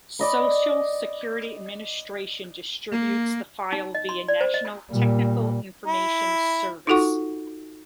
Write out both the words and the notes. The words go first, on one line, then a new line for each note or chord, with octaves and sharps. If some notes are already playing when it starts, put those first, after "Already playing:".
Social Security Administration distributes the file via National Technical Information Service.
D5 D#5 B5
A#3
D#4
D#5
C6
D5
C5
D#5
A#2 G3
E4
D#4 F4 F#4 A4 F#5 C#6